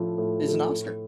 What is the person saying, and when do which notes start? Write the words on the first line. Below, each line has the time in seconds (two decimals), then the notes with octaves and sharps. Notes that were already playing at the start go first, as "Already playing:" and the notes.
He's an oscar.
Already playing: A2 F3 A3
0.18 A2
0.44 F3 A3
0.70 A2